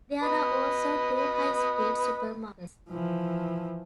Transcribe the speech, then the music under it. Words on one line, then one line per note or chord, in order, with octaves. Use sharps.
There are also two high-street supermarkets.
B4 D#5
E3 F3